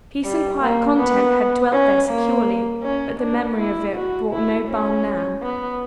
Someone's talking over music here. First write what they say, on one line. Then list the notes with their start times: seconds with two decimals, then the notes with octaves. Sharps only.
Peace and quiet content had dwelt there securely, but the memory of it brought no balm now.
0.24 G3
0.61 A#3
0.98 B3
1.72 C#4
2.09 A#3
2.83 C#4
3.20 D4
3.57 E4
3.94 F#4
4.31 E4
4.69 C#4
5.43 B3